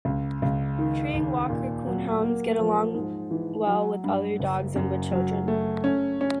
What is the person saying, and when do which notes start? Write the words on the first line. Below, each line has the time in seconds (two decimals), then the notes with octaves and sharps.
Treeing Walker Coonhounds get along well with other dogs and with children.
0.05 C#2
0.42 C#2
0.79 D#3
1.13 D#2
1.50 A#2
1.87 F#3
2.23 A#3
2.59 F3
2.94 G#2
3.31 E3
3.67 F#3
4.04 G2
4.39 F#1
4.76 F#2
5.12 F#3
5.48 A3
5.84 C#4
6.21 C#4